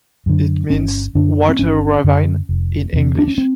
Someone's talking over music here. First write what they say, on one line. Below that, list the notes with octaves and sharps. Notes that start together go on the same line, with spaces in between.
It means "Water Ravine" in English.
F#2 D3
G1 C#4
F#2 D3 D4
C4
G1 C#4
F#2 D3
F1
E2 C3
D4
C#4
C4